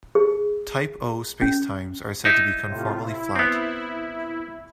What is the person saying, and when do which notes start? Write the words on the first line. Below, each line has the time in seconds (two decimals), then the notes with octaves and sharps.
Type O spacetimes are said to be conformally flat.
0.15 G#4
1.42 C#4
2.25 D#4 E4
2.65 A2 C3 F4
3.00 E4
3.36 B3 C4